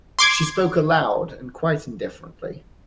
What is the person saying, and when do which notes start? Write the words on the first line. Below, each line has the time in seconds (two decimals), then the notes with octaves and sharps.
She spoke aloud and quite indifferently.
0.19 C6 D6 G#6